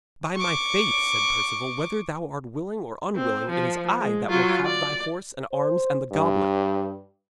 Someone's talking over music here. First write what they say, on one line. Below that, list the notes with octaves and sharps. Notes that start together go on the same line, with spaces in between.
'By my faith,' said Perceval, 'whether thou art willing or unwilling, it is I that will have thy horse and arms and the goblet.'
C#6 D6
C4
F3
G#3
F#3 F4
D5
C5
G2